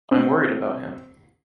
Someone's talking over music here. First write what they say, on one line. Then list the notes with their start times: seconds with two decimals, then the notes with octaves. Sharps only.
I’m worried about him.
0.11 C4